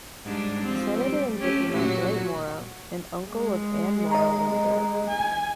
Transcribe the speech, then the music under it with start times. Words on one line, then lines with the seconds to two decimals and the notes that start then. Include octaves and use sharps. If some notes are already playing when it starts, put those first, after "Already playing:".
Senator and Diplomat Dwight Morrow and uncle of Anne Morrow Lindbergh.
0.25 G#2 G3 D4
0.62 F3 C4
0.97 G3
1.40 A3 C#4 G4
1.73 A#2 F#3 F#4
3.27 G#3
4.11 D#5 A#5
5.07 G#5